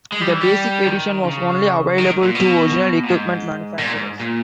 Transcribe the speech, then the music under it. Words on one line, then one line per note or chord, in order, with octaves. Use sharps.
The Basic edition was only available to original equipment manufacturers.
G#3
G3
E3
G3
D#3
C#3
D#3
A#2
B2
A#2
G#2
B2
A#2
G#2
A#2